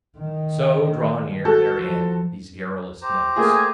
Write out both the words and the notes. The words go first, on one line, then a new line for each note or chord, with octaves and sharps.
So draw near their end these garrulous notes.
D#3
F#4 A4
F3
G4 C5 A#5
A3 A#3 G#4 A#4 G#5 D#6